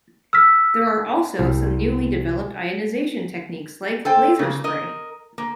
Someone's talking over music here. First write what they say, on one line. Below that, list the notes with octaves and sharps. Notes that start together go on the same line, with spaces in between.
There are also some newly developed ionization techniques like laser spray.
E6 F6 B6
C2
A4 C5 G5
C#3 A#3
A#4 D#5
A#3